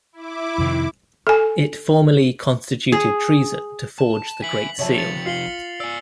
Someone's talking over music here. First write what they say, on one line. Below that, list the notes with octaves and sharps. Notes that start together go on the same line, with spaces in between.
It formerly constituted treason to forge the Great Seal.
E4 D6
F2 C3 D#3
A4 G#5
G#4
A5
E5 G#5 B6 F#7
C3 F3 C#5 E5 A5
A6 C#7 F7
F4 C7 F#7 G7
D5 G#5 E6